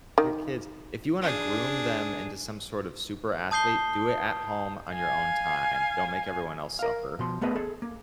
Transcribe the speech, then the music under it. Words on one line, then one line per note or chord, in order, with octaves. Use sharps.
They're kids. If you wanna groom them into some sort of super athlete, do it at home on your own time. Don't make everyone else suffer.
D#3
D4 G#4
A5 D#6 G6 C7 G7
F5 G#5
A#4 F5
B2 F3 C6
A3 B3 G#4 B4 D#5
G#4 A4
A#3